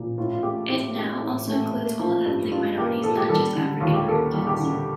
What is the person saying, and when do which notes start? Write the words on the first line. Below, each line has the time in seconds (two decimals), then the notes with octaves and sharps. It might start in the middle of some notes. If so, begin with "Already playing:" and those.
It now also includes all ethnic minorities, not just African-Americans.
Already playing: A#2 F3
0.18 A2 F4
0.33 F4
0.43 A3 G4
0.69 A2 G4
0.96 A3 G4
1.22 A2
1.48 A3
1.74 A#3
2.00 F3
2.26 G2
2.52 G2 F4
2.78 A#3 G4
3.04 F3 A4
3.17 G4
3.29 G3 A4
3.55 D3
3.80 D#2 F4
3.94 G4
4.08 A#3 A4
4.34 G3
4.47 G4
4.60 D3